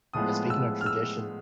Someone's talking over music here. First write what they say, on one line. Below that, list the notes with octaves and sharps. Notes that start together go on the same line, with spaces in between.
eh, speaking of tradition,
A2 F3 G#3 B3 D#6
E6
F6
E6